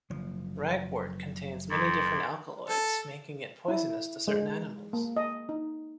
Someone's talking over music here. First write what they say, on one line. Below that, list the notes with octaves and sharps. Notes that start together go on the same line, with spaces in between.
Ragwort contains many different alkaloids, making it poisonous to certain animals.
F#1 F3
F2
A4
E4
G#3
A#3
D#5
D#4